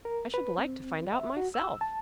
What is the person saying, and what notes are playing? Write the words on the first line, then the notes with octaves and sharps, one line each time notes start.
"I should like to find out myself."
A#4
B4
C4
E5
F#4
E6
A5